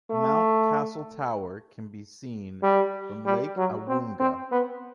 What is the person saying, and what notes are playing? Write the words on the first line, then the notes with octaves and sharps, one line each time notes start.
Mount Castle Tower can be seen from Lake Awoonga.
A3
G3
G3
F#3
C4
C4
B3